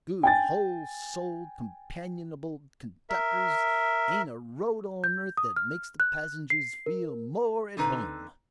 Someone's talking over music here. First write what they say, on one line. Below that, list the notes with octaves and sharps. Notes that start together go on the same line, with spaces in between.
Good, whole-souled, companionable conductors; ain't a road on earth that makes the passengers feel more at home.
G5 G#5 A6
A#4 E5
G6
D#6
F6
F#6
C7
A#4
D3 C4 D#4 B4